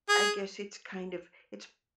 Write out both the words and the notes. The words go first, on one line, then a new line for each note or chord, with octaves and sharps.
I guess it's kind of, it's
G#4